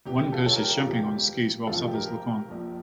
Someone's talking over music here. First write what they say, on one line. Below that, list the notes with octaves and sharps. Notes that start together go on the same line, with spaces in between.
One person is jumping on skis while others look on.
E2 E3 G4
G4
F4 A4
A4 C#5
G4 A#4
G4
F4
E2 E3 G4
A1 G2 F3 F4 A4
G4
G4 A#4
A#1 A#2 F3